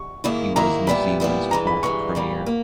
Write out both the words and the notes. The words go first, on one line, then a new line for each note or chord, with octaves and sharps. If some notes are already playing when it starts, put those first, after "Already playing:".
He was New Zealand's fourth Premier.
Already playing: C#6
G#2 D#3 A#3 E4
G#2 D#3 A#3 E4 A#5
A#2 G3 B3 E4 B5
A#2 G3 B3 E4
G2 E3 G#3 A#5
B5
G2 E3 G#3 C#6
A#2 G3 A#3
A#3